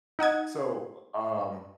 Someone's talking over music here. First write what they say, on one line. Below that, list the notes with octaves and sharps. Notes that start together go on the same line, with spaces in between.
So, uh, um,
D#4 F#5 D#6 G#6